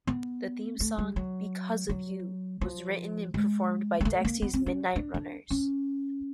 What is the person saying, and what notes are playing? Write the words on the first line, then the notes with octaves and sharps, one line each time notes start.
The theme song "Because of You" was written and performed by Dexys Midnight Runners.
B3
A3
G3
F#3
F#3
F3
G#3
G#3
A3
A#3
B3
C4
C#4
D4
D4
C#4